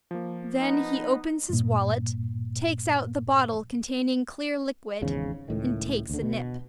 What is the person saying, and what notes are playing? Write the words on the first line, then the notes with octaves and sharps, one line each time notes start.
Then he opens his wallet, takes out the bottle containing clear liquid, and takes a nip.
F3 A#3
B3 D#4
G2 A#2
G#1 E2 G#2 C#3
C#2 A2 D#3
D2 D3
B2